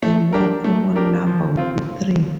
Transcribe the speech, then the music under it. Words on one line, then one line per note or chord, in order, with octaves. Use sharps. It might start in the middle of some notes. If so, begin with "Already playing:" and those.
A more common number would be three.
A3
D4 G4 A#4
A3
D4 G4 A#4
F3
C4 F4